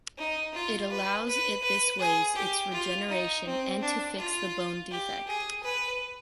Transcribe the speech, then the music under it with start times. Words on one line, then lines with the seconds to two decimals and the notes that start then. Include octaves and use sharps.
It allows it this ways its regeneration and to fix the bone defect.
0.18 D#4
0.54 F4
0.90 B4
1.27 B4
1.63 B4
1.99 G#4
2.36 G4
2.73 F4
3.09 D#4
3.46 C4
3.82 D4
4.18 F4
4.91 G4
5.27 G#4
5.64 B4